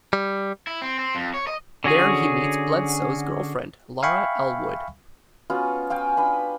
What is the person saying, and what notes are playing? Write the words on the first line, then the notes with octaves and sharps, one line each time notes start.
There he meets Bledsoe's girlfriend, Laura Elwood.
G3
E4
C4
C4
F2
C#5
D#5
D3 C#4 F#4 G#4
E5 F5 G5 G#5 B5 C#6
B3 C#4 F4 F#4
F4 F5 G5 G#5
D4 B4 B5